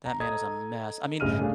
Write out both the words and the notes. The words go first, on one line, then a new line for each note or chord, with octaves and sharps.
that man is a mess. I mean,
A#5
A4 D#5 A#5 D#6 G#6
G1 A2 C#3 D#5 F6 D#7
A3 D4 G#4 F5